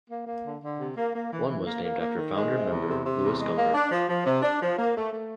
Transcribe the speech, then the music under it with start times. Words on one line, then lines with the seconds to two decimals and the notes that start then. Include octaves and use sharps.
One was named after founder member Louis Gumpert.
0.09 A#3
0.26 A#3
0.44 D3
0.61 D3
0.78 C3
0.95 A#3
1.14 A#3
1.31 E3
1.48 E3
1.65 A#3
1.82 A#3
1.99 A#3
2.17 D#3
2.35 G#3
2.52 C3
2.69 E2
2.87 C3
3.04 C3
3.21 E2
3.38 G#3
3.56 A#3
3.74 D4
3.91 F3
4.08 F3
4.25 C3
4.42 D4
4.60 F3
4.77 A#3
4.95 A3
5.12 A3